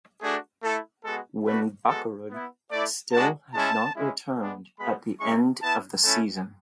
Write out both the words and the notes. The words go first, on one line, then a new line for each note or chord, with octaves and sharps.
When Bakkerud still had not returned at the end of the season.
A3 D4 F#4 G#4
A3 E4 A4
G#3 B3 F#4 A4
A3 D4 F#4 B4
G#3 B3 F#4 A4
B3 E4
A3 E4 D5
G#3 D4 F#4 A5
G#3 C#4 E4 A5
G#3 C#4 E4
G#3 B3 D4
G#3 B3 F#4 B5
G#3 C#4 E4 C#6
B3 E4 A5
A3 C#4 E4 A5